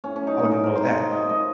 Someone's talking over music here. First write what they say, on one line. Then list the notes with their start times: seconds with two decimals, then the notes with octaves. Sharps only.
I wanna know that, you know, and
0.04 A2 C#4
0.16 C#4
0.22 F#3
0.27 D#4
0.39 A2 D#4
0.51 A#4
0.57 F#3
0.64 A#4
0.75 C3 C5
0.87 C#5
0.94 F3
0.99 D#5
1.11 C3 D#5
1.29 F3 D#5